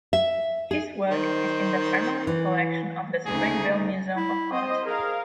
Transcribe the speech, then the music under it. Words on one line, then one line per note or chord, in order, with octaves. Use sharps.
His work is in the permanent collection of the Springville Museum of Art.
E5
G#4
D#3 C5
E3
D2 C#3 D#4 G#4
E4
C4 C5 D#5
G#4 A#4 F5